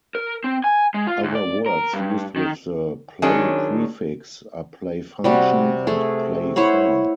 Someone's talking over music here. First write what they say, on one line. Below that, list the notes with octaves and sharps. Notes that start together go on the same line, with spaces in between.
Other words used with the "play-" prefix are play-function and play-form.
A#4
C4
G#5
G#3
F4
D2
D5
A#4
G2
D#3
D#3 F#3 G#3 C#4 D4
C3 G3 F#4
A3 G#4
E4 C5 C#5 F#5